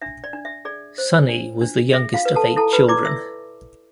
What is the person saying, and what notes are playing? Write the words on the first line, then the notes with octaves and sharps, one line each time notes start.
Sonny was the youngest of eight children.
D4 E5
D5
D4
E5
G#4 D5
C5
D4
D4
G#4 E5
F4 F5
B4
A4 A5
E4 A4 A5
B4 B5
E4 D5 D6
E5 E6